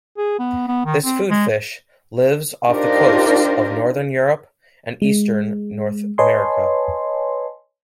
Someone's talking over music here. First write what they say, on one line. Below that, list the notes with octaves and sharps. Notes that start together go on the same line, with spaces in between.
This food fish lives off the coasts of northern Europe and eastern North America.
G#4
B3
B3
D#3
C4
G#3
D4 D#4 F4 G4 A#4 C5
G#3
B4 C#5 D#5 G#5 A5 C6